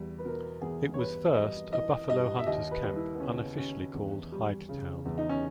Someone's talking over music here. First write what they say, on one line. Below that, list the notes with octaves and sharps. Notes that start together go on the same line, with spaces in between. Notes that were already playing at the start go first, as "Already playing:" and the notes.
It was first a buffalo hunter's camp unofficially called Hidetown.
Already playing: E2 G3
B4
B2 A#4
E2 G#4
C#5
G2 B4
G3 D#5
E3 D#5
G2 D#5
E5
D#2 D#5
B4
G3
E4
B3
C#3 C#4
D#2 C#4
E2
G3
C#3
E2
D#4
C#4